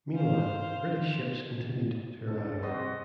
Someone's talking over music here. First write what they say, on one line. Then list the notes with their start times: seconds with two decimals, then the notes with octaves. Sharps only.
Meanwhile, British ships continued to arrive.
0.15 C5 F5
2.27 C#2 G#3 A4
2.63 C3 G3 F#4 G#4 C5 D#5 C6